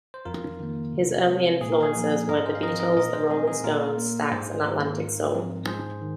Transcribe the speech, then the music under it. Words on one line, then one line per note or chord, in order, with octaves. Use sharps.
His early influences were The Beatles, The Rolling Stones, Stax and Atlantic Soul.
C5
F2 F4 A#4
D#3 A#3
C3
G#3 C4
A#2 G#4
A#4
G#4
F3 A#3
G#2 A#4 D#5
G#4 C5
F5
F3 C4 A#4 D#5
A#4 D#5
A#2 A#4 D#5
G#4 C5
G#3 C4 G#4
G#4
A#2 F4 A#4
A#3
G#2 G#4 C5
D#3 A#3 F4 A#4
G#2
F3 G#3 C4
G#2 G#4 C5
D#3